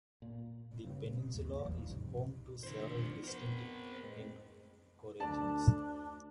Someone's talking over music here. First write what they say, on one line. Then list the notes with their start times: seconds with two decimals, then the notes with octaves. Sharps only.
The peninsula is home to several distinct ecoregions.
0.22 A#2
0.84 G2 C#3
1.35 D#2 G#2
1.65 A1 E2 F3 G3
1.90 C2 G#2 C3
2.63 C3 D#3 F3 D4 C5
3.24 B3 C4 A#4 C5
4.03 A2 G#3 C4
5.20 D2 D4 D5 A5